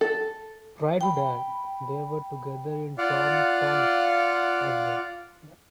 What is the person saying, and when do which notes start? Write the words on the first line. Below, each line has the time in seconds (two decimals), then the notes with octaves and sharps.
Prior to that, they were together in Tom Tomsk as well.
0.01 A4
1.01 G5 B5
2.98 F4 D5 F5 F#5